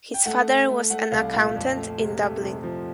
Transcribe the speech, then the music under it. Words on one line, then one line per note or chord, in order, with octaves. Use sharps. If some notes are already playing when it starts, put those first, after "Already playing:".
His father was an accountant in Dublin.
G5
A3 F#5
A3
A3
A3 F#5
C2 F5
A#2 F5
F2
A3
C3
A3
C3
F3